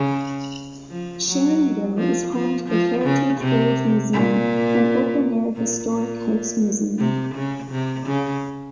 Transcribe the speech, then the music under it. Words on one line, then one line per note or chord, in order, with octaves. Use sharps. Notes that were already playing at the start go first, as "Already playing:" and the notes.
Sharonville is home to the Heritage Village Museum, an open-air historic house museum.
Already playing: C#3
F3
F#3
F3
F3
F3
C#3
C3
A#2
A#2
A#2
C3
C#3
C3
C#3